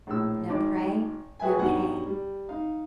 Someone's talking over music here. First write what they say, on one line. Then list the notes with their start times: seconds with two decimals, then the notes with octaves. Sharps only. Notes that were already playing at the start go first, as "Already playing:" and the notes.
No prey, no pay.
0.07 A#1 A2 E6
0.50 G#1 G#2 D6
1.40 F#4 G#4 B4 E5 G5 G#5
1.58 G2 B2 F#3 D#4 F#5
2.06 G3
2.49 D#4 F5